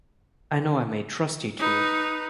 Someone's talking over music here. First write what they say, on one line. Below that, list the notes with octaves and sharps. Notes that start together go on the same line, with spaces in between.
I know I may trust you two.
D#4 B4